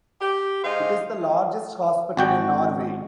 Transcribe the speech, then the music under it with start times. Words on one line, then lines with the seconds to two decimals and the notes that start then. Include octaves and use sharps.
It is the largest hospital in Norway.
0.21 G4
0.64 G#2 C5 D#5 F5
2.17 G#1 F#4 G5